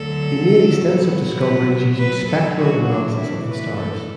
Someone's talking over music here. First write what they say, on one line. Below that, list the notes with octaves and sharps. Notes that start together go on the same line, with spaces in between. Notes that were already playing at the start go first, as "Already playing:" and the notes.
He made extensive discoveries using spectral analysis of the stars.
Already playing: D2 D3 F#3 A4
A2 F#3 B3
B4
B2 F#3 B3 B4
A4
F#4
D4
A2 E3 A3 E4
B4
A4